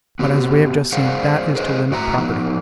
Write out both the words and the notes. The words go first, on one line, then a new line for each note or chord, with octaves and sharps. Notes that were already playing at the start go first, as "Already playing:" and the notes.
But, as we have just seen, that is to limit property.
B3 F#4 G4
G#4 C5 D5 F5 F#5
G#4 B4 C5 D5 D#5
A2 F#4 E5 F#5 A#5
F3 B3 D#4 C5